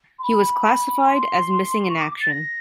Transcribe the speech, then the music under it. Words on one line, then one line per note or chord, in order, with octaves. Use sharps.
He was classified as missing in action.
C6
B5
C6
C#6
D6
A6
A#6